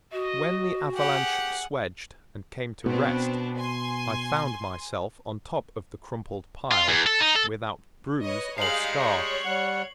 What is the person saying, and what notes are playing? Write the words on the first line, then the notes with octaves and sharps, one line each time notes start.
When the avalanche swedged and came to rest I found myself on top of the crumpled pile without bruise or scar.
F#4 D#5
G4 G#4 F#5
B2 B3 C4 D4
G#5 C6
F4
E2
A4
D#4
A4
B4 C#5 D#5
G3 G#3 D#4 G#4 F5 C7 F#7
C#5
G3 F#5